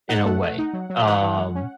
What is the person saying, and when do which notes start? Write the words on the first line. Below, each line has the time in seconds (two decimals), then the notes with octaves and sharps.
in a way, um,
0.09 D#4 F#5
0.25 A3
0.42 A3
0.59 D#4
0.73 F#3
0.90 F#3
1.06 E3 F#5
1.22 E3
1.38 G#3
1.55 C#4